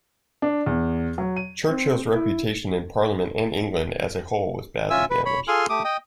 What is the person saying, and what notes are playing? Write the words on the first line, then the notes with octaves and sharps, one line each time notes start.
Churchill's reputation in Parliament and England as a whole was badly damaged.
D4
E2
F#3
D#7
C4
E4
C#4 F4 E5 G#5 E6
B4
C#5 B5
F4 G#4 A4 G#5 C6 F6
A3 G4 D6 D#6
D#5 G5 D#6